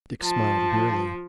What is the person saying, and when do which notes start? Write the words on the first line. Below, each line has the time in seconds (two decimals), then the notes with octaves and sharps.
Dick smiled wearily.
0.23 F3 A5